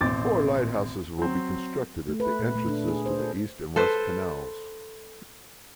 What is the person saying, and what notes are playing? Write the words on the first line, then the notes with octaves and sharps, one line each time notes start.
Four lighthouses will be constructed at the entrances to the East and West Canals.
A1 D#2 B2 C4 D6 A6
F#3 C4
A3
B4
A#2
A3
D4
G#4
C5
A4
A4 B4 C5